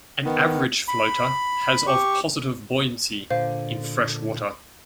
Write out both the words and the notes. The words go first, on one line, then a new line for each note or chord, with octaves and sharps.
An average floater has of positive buoyancy in fresh water.
D#3 B3
B5
G4 C#6
A#2 D3 C5 F5